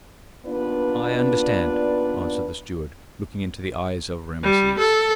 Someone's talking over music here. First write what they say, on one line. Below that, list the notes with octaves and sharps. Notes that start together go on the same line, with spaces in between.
"I understand," answered the steward, looking into the eyes of Rameses.
D#2 B3 D4 F4 B4 D5
G3
A4